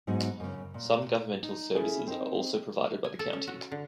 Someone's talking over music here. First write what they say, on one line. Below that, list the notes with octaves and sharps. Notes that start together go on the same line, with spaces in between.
Some governmental services are also provided by the county.
G#2 F#3 B3 D#4 F#4
F#2 C#3
A#2
D#4
C#4 E4 G#4 A4
C4 D#4
G#5
A4
C#4
F#4
D3